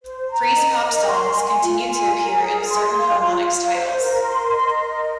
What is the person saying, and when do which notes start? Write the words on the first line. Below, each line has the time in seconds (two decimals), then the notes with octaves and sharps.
Freezepop songs continue to appear in certain Harmonix titles.
0.03 C5
0.30 A#5
0.56 D#5
0.83 A#4
1.09 C6
1.35 G#5
1.62 F4
1.87 G#5
2.14 A#4
2.41 G#4
2.67 C6
2.94 F5
3.20 F4
3.47 F5
3.72 C5
3.99 A#4
4.25 C6
4.52 D#5
4.79 A#4